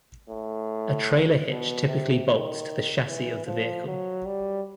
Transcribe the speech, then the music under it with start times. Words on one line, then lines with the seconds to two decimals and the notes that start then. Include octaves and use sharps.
A trailer hitch typically bolts to the chassis of the vehicle.
0.29 A2
1.48 B2
1.88 C3
2.27 D#3
3.07 E3
3.46 F3
3.87 F#3
4.26 G3